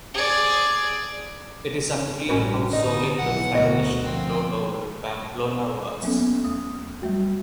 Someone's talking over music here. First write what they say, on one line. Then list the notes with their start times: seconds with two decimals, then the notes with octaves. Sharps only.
It is unclear how solid the Frankish control over Pamplona was.
0.14 G#4 D5
2.29 A1 G2 C#4 F#4 B4
2.73 D3 D#4 D#5
3.18 B1 E3 F#3 F#5
3.55 D2 B2 F#4 A#4 D#5
4.05 F3 C4
6.03 F#3 A#3 B3 C#4 A4
6.45 D#2 A3 D#6
7.02 F#3 G3 A3 F#4